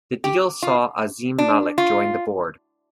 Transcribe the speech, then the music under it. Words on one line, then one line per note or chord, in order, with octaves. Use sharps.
The deal saw Azeem Malik join the board.
G4
F4
D4
F4